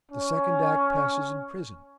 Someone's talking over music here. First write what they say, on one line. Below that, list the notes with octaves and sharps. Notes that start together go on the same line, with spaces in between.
The second act passes in prison.
C#4